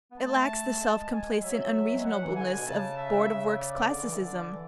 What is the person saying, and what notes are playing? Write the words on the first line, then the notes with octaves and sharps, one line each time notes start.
It lacks the self-complacent unreasonableness of Board of Works classicism.
B3
A3 A5
G#3
G#5
F#3 E5
G#3
F#3 F#5
E3
D3 G#5
B2
C#3 A5
E5
C#3
D5
D3
E3
D3
D5
E3